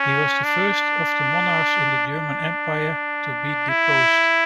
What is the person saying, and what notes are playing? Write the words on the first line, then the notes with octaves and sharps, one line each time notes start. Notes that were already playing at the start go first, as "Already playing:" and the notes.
He was the first of the monarchs in the German Empire to be deposed.
Already playing: C#4
D4
D4
E4